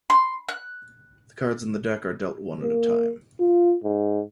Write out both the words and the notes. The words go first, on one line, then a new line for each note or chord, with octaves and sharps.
The cards in the deck are dealt one at a time.
C6
F#6
A#3
F4
G#2